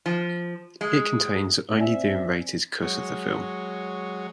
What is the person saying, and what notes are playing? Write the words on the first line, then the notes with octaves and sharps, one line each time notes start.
It contains only the unrated cut of the film.
F3
G#3
C4 D5 E5 G#5
F#3 G#3 C#5